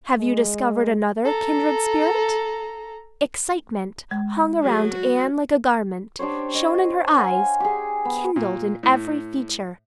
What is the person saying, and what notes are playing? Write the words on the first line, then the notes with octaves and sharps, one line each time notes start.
"Have you discovered another kindred spirit?" Excitement hung around Anne like a garment, shone in her eyes, kindled in every feature.
G#3
A4 A#5
G#3
F#3 G#4
F#4
D4 G4 C5 C#5
D#5
F5 F#5 G#5
G4 G#4
B3
A#2
A2